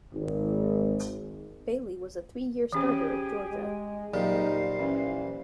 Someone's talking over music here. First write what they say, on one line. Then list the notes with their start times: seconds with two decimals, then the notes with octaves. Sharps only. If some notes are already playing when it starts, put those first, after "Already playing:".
Bailey was a three-year starter at Georgia.
0.13 G#1
2.72 E3 C#4 G4 G#4 C5
3.51 G#3
4.14 F#2 A#2 G3 D#4 G#4 C5 F5
4.79 E3 C#4